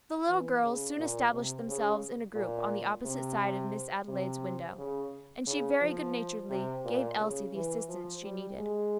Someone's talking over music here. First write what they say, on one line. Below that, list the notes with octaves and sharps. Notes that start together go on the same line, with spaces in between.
The little girls soon established themselves in a group on the opposite side of Miss Adelaide's window, and she very good-naturedly gave Elsie the assistance she needed.
E3
C#3
A#2
C3
C#3
A#2
C3
C3
C#3
C#3
F3
C3
A#2
C#3
E3
F3
G3
G#3